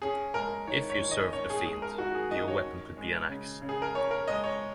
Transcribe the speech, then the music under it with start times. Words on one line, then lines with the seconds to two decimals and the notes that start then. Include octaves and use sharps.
If you serve the Fiend, your weapon could be an axe.
0.02 C#4 G#4
0.34 G#3 A#4
0.67 D#3 C#5
0.90 C#5
1.00 D#3
1.11 D#5
1.33 C#4 C#5
1.50 G#4
1.65 G#3 G#4
1.82 A#4
1.98 D#3 F#4
2.15 G#4
2.31 D#3 D#5
2.48 C#5
2.64 C#4
2.97 G#3
3.29 C#3
3.62 C#3
3.69 G#4
3.82 A#4
3.95 C#4 C#5
4.11 A#4
4.27 G#3 D#5
4.44 C#5